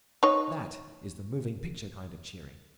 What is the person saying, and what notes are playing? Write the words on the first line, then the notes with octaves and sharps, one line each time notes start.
That is the moving picture kind of cheering.
D#4 C#5